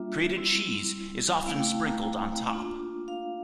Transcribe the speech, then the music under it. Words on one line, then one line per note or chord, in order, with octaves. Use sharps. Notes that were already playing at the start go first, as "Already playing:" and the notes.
Grated cheese is often sprinkled on top.
Already playing: G3 A#3 D4 F4 E5
G3 C4 E4
A3 C4 E4 F5
G5
A5
A#5
G5
A#3 D4 F4
F5